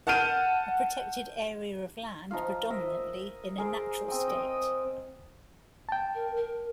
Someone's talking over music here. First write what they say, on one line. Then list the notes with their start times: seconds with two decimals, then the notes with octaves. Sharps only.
A protected area of land predominantly in a natural state.
0.07 F#5 A5 F6 G6 D#7
2.31 F3 D#4 F4 F5
2.70 A#4 D#5 E5
3.58 G#4 A#4 C5
4.08 C4 G5 D#6
4.28 D#5 G5 D#6
5.89 G5 A5
6.15 A#4
6.37 A#4